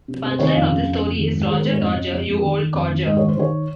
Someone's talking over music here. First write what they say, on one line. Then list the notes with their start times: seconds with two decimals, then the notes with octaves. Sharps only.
The punch line of this story is, Roger Dodger, you old codger!
0.08 C3
0.23 C3
0.30 C5
0.39 D#3 C#5
0.47 D#5
0.55 F2 F5
0.71 C#3
0.86 F2
1.02 F2
1.18 D#3
1.33 G#2
1.49 D#3 G#4
1.58 A#4
1.65 G#2 C5
1.73 C#5
1.80 F2 D#5
1.96 C#3
2.11 F2
2.27 F2
2.43 D#3
2.58 D#3
2.74 F2
2.90 D#3
3.06 G#2 D#5
3.17 D#3 C#5
3.28 C5
3.37 D#3 C#5